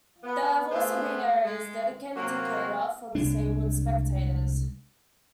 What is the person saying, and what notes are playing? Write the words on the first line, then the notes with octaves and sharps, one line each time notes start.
There have also been areas dedicated to cater for disabled spectators.
B3
A3 B3 G#4 C5
G#3
C3 F#3 A#3
C2 G#3 D4